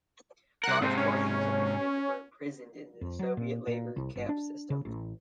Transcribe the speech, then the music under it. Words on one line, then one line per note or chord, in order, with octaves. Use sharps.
Large portions of the community were imprisoned in the Soviet labor camp system.
C2 A#4 F#5
G#2 C3 C4
C#4
F2
F#3
A#2
A#2
C2
G1
D4
C#3
A1